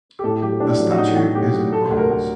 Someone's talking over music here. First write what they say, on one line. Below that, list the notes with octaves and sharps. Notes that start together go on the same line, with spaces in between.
The statue is in bronze.
G4
A2 A4
F#3 G4
A2 D4
F#3
F#4
A2 D#4
F#3 F#4
A2 G4
F#3
G3 A4
D2
A#4
D2